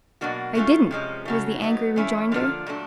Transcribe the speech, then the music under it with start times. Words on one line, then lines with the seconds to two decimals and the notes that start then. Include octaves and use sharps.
"I didn't," was the angry rejoinder.
0.21 B2 F#3 A#3 D4 F#4
0.55 F#3 A3 C#4 F4
0.91 C3 F3 G#3 C#4
1.25 C#3 F#3 A3
1.62 F#3 B3 D#4
1.96 E3 A3 C#4 E4
2.32 D3 F3 A#3 D4 F4
2.67 A#2 F#3 A3 D4